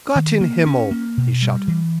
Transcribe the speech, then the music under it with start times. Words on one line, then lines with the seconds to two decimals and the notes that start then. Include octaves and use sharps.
"Gott in Himmel!" he shouted.
0.15 D#3
0.41 A#3
0.66 C#4
0.91 A#3
1.17 B2
1.42 G3
1.67 E3